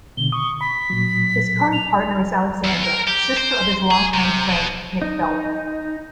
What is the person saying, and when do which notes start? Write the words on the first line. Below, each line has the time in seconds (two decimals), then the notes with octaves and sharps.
His current partner is Alexandra, sister of his long-time friend Nick Feldman.
0.17 B2 D3 G7
0.32 C#6 D#6
0.61 B5 B6
0.90 A#2 F#3
1.73 F7
2.64 E2
2.84 A#4
3.07 G4
3.37 C5
3.91 G#4
4.14 C3
4.49 B2
5.02 D#4